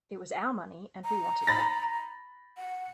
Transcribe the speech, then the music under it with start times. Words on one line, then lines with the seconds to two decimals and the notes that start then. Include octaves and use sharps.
It was our money and we want it back.
1.04 A#5
1.47 B5 A6 A#6
2.57 F#5